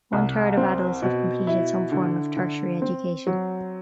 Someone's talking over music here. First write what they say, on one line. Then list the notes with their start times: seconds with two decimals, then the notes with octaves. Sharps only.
One third of adults have completed some form of tertiary education.
0.13 C2
0.57 C4
1.02 B2
1.47 E4
1.92 D3
2.37 D3
2.82 C4
3.27 F#3